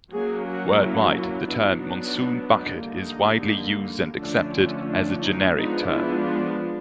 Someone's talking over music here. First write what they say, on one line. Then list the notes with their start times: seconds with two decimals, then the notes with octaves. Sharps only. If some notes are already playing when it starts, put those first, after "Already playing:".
Worldwide, the term "monsoon bucket" is widely used and accepted as a generic term.
0.12 F#3 A#3 C#4 G#4
0.45 F#4
0.79 E4
1.47 F#3 B3 D4 E4
1.81 D#4
2.16 D#4
2.49 D#4
2.83 D3 G3 A#3 D#4
4.19 D3 F3 A3 C#4 D4
4.87 D4
5.21 D#4
5.54 F3 G#3 B3 D4 D#4
5.88 E4
6.22 F4